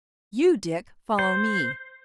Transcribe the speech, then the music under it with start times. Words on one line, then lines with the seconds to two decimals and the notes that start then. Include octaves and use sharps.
You, Dick, follow me.
1.19 C5